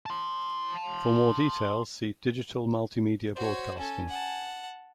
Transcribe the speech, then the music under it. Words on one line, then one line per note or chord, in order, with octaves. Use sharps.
For more details see Digital Multimedia Broadcasting.
A5 C6
F#4 C5 C#5
C#4 A4 G#5
F#5 A5